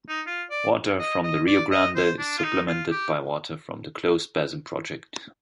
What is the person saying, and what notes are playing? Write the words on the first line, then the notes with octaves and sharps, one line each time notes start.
Water from the Rio Grande is supplemented by water from the Closed Basin Project.
D#4
F4
D5
D#5
D#5
D5
D#5
C5
D4
F4
D#4
F4
G4